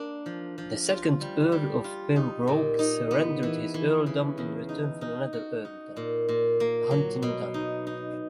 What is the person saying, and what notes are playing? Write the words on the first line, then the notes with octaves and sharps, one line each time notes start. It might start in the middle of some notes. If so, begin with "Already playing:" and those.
The second Earl of Pembroke surrendered his earldom in return for another earldom, Huntingdon.
Already playing: A#3 D4
F3
F3
F4
G3
G3
F4
D#4
A#2
D#4
B3
E3
E3
C#3
E2
D#4
D#4
F#4
D#4
A#2
A#2
A#3
F#3
B2
D#4
D#4